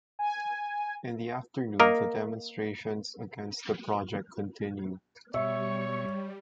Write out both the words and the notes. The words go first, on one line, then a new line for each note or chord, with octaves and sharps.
In the afternoon, the demonstrations against the project continued.
G#5
A#3 A#4 D#5
B2 G3 C#5 E5 C#6